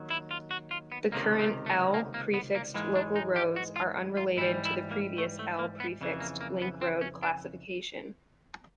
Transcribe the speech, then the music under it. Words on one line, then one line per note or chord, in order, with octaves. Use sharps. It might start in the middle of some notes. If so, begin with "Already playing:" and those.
The current "L"-prefixed local roads are unrelated to the previous "L"-prefixed link road classification.
Already playing: D#2 D#3 F#3
E4
F4
F#4
F4
B3
C#2 C3 D#3 A#3
A3
A3
A#3
A#3
B3
A#3
G#2 E3 G#3 A#3
D4
D#4
G4
F#4
F4
F4
G#2 E3 G3 E4
E4
A#3
A3
A3
A#3
B3
F2 C#3 E3
A#3
A#3
B3
C4
C#4
D4